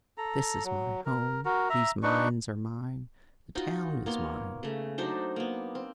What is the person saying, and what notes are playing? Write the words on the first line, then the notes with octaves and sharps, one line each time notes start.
This is my home, these mines are mine, the town is mine.
A4 A#5
F#3
A#4
F#4 A#4
E5 A#5
D4 D#4 B4 C#6
D#4 F4 F#4 D#5
A#3 B3 C#5 C6
C#3 A3
F#3 D4 D#4 C5
A#3 B3
C4